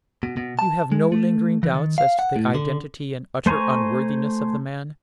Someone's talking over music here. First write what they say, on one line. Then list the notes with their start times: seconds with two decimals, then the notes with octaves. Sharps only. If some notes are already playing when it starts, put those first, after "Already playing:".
"You have no lingering doubts as to the identity and utter unworthiness of the man?"
0.23 B2
0.37 B2
0.59 A5
0.92 G#3
1.12 A3
1.63 E3
1.74 D#3
1.98 F5
2.19 F#5
2.36 A2
2.55 D3
3.46 A3 C5 G#5 A#5 C#6